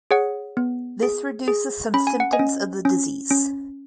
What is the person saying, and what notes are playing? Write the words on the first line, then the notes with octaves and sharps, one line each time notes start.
This reduces some symptoms of the disease.
G#4 C#5 F#5
B3
G#4
G#4
C#4 B5
G#5
F#5
D#5 G#5
C#4
C#4
C#4